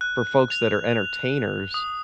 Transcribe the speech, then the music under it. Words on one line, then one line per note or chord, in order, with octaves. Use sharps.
for folks that are entertainers,
F#6
F7
D#6